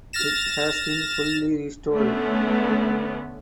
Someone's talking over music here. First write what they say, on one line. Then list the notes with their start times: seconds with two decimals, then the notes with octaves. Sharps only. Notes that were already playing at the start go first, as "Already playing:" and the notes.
It has been fully restored.
0.13 F6 A6 A#6 E7
1.92 D3 A3 B3 C#4